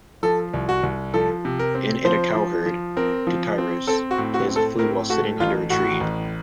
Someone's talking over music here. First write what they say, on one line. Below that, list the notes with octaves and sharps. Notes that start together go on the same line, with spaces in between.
In it a cowherd, Tityrus, plays a flute while sitting under a tree.
F3 A4
C2
F#4
C2
F3 A4
C3
A#4
C4
F3 C5
F3
F3
C4 A#4
F3
C4
C4 A4
F#4
A2
F#4
C4
A4
A2 A#4
A3 F#4
A1 F4
A2 F#4
A1